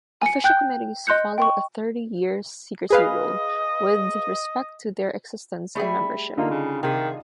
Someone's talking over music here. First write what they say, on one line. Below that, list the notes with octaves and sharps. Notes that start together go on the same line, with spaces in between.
Official committees follow a thirty-year secrecy rule with respect to their existence and membership.
G#5 C#7
G5 F#6 G6
D#5 C6 F#6 G6 C#7
G5 C6 C#6
G#4 B4 D#5 F5
G3 A3 G#4 E5 A5 B5
D3 A#3 D#4 F4
C#3
C3 D#3 G#4